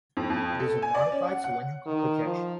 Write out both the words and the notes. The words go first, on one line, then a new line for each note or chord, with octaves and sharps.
It is a modified cylindrical projection.
F2
F2
A4
G#5
D5
C#4
F#5
F#5
D#3
F3